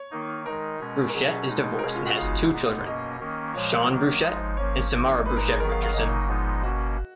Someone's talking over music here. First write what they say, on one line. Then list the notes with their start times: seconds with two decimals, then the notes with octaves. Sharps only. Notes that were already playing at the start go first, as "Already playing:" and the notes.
Brushett is divorced and has two children, Sean Brushett and Samara Brushett Richardson.
Already playing: C#5
0.11 D#3 A#3 D#4
0.46 D#3 G#3 D#4 A#4
0.80 B2 G#3 C#4
1.08 A#4
1.14 B2 F#3 C#4 G#4
1.48 B2 G#3 D#4
1.79 A#4
1.82 B2 G#3 C#4 G#4
1.95 F4
2.06 F#4
2.17 C#3 G#3 B3 D#4 F5
2.51 A#2 G#3 B3 D#4
2.85 B2 A#3 C#4 D#5
3.20 D#3 A#3 C#4
3.54 A#2 F3 G#3 C#5
3.89 D#3 F#3 A#3
4.22 F3 G#3 D#4
4.57 F3 A#3 C#4 C#5
4.91 F3 A#3 D#4
5.26 A#2 G#3 D#4 B4
5.37 A#4
5.48 G#4
5.60 D#3 F#3 B3 A#4
5.71 F5
5.83 F5
5.94 C#3 F#3 A#3 D#4 D#5
6.28 A#2 F3 G#3 B3 D#4
6.63 B2 A#3 C#4 F#4